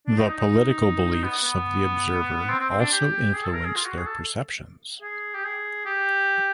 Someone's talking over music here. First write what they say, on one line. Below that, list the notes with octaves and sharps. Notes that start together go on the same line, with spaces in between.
The political beliefs of the observer also influence their perceptions.
D4
D#4
D#4
D#4
B3
B3
C4
C4
C4
D4
G4
G#4
A4
A#4
G#4
F4
F#4
G#4
A4
G#4
G4
G#4
G4